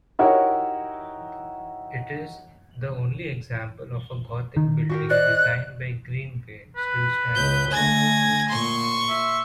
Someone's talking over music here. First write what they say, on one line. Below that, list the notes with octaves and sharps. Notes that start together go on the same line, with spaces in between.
It is the only example of a gothic building designed by Greenway still standing.
D#4 E4 F#4 G4 A#4 C#5
D#3
F#4 G4 A#4
C5 D5 D#5 F#6
B4
C#2 G6
D3 A3 G#5 G#6 A#6
A#2 C6 C#6
E5